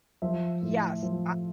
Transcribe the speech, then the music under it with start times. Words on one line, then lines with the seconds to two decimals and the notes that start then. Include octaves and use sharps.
Yes, I
0.22 F3 E5
0.62 A2
1.03 F3